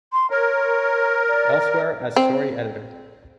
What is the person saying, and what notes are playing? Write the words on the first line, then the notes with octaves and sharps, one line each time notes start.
Elsewhere as story editor.
C6
A#4 C#5
D5
C4